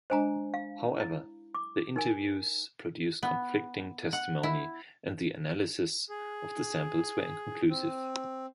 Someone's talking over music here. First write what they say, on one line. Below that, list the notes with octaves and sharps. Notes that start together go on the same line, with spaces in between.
However, the interviews produced conflicting testimony and the analyses of the samples were inconclusive.
G#3 D4 C5 D#5 G#5 A#5
F5
E4
D6
D#4 A#4 G#5
B3
F#5
E4
G#4
C4